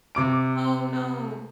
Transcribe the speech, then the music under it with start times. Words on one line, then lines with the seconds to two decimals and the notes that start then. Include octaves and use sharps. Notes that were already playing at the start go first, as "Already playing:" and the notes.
Oh no.
0.15 C3 D6 D7